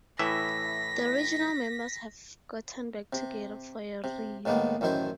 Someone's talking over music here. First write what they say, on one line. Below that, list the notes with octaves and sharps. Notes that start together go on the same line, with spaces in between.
The original members have gotten back together for a reunion.
A2 E3 E5 A#6 B6
C3
C3
A2 D#3 G#3 A#3 B3
A1 F#2 D#3 E4 C5